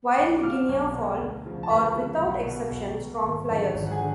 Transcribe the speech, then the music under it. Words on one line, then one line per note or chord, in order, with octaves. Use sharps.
Wild guineafowl are, without exception, strong fliers.
C#6
B1 D5 D6
D6
B2 F5 F6
B1 C#5 C#6
B2
D2
C#3 F3
A5
D2 B4 B5
C#3 F3
B1
B2
B1
B2
G#1
F#2 D3 F3
G#1
F#5
G#4 G#5
D3